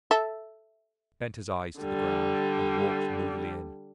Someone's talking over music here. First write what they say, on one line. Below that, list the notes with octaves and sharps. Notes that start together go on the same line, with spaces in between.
He bent his eyes to the ground, and walked moodily in.
A4 E5
D3 G3